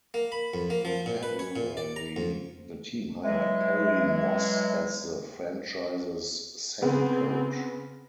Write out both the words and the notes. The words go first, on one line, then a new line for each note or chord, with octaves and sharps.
In February, the team hired Perry Moss as the franchise's second coach.
A#3
B5
F2
A#3
F3
A#2
B4
C#5
A#2
D5
A#5
F2
E3 F#3 G#3 E5
C#3 B3 C4